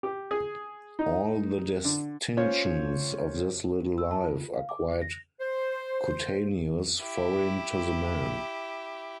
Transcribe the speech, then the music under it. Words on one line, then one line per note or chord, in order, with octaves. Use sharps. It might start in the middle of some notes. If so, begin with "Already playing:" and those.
All the distinctions of this little life are quite cutaneous, foreign to the man.
G4
G#4
D#4
D3
C#4 F4 C5 C#5
E6
A5
F4
F5
D6
A#6
C5
E4 G4